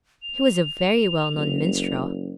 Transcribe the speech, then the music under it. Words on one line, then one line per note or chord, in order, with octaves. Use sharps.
He was a very well known minstrel.
F7
F#1